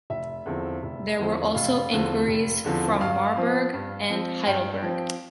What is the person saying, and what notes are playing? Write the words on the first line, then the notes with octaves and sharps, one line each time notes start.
There were also enquiries from Marburg and Heidelberg.
F1 E5
E2 D3 F3 C4
F1
E2 D3 F3 C4
F1 F5
E2 D3 F3 C4
F1
E2 D3 F3 C4
G2 F5
F3 C4
G2
F3 C4
G2 G5
F3 C4